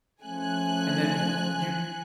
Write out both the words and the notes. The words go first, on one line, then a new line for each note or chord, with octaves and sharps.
And then you
F3 A3 C#4 G#5 F#6